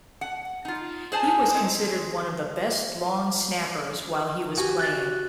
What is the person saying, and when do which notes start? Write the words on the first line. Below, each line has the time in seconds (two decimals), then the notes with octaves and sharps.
He was considered one of the best long snappers while he was playing.
0.21 F#5
0.65 D#4 F4
1.12 G#4 C5 G#5 A5
1.51 G#3 C4 C5
4.57 F#4 G4 G#5
4.79 F#6 A6